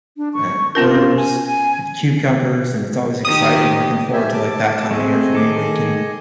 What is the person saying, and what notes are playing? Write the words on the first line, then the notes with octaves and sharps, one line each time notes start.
and herbs and cucumbers, and it's always exciting looking forward to, like, that time of year for me where you can
D4
C#6
B3 C#4 F4 A#4
G#5
G#5
D#3 G4 D#6
G4 E5 G#5
A5 D6
A3 C4 G#4 D#5
D#3 A4 D6